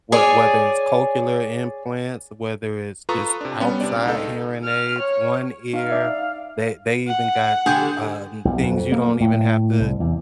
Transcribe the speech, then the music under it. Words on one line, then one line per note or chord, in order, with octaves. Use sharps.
whe whether it's cochlear implants, whether it's just outside hearing aids, One Ear, they they even got, um, things you don't even have to
G#4 C#5 D5 G#5
F4 A4 B4 A#5 C#6 D#6
C3 D4
G3 B3 C#4
C3 D4 D5
C#2 D#4 A4
F6
C#5
D#4 F5
D#4 D5 E5
F#5
D3 D4 G4 G#4 G6
B1
F2
A#3
A2
C2
E2